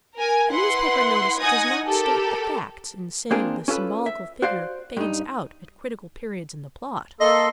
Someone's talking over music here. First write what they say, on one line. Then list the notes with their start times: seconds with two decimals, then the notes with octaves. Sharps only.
The newspaper notice does not state the facts in saying the symbolical figure "fades out" at critical periods in the plot.
0.16 A#4 G#5
0.51 E4 B4 F#5 C6
1.40 D#4 F#5 G#5 D#6 G#6 A#6
1.87 G4 A4 A#4
3.31 A#3 C4 D4 F4 G#4 A#4
3.68 C#4 F4 A4 B4
4.06 E5
4.42 F#4 C5 D5 F5
4.97 G2 D#4
7.20 A#3 A4 D#5 C6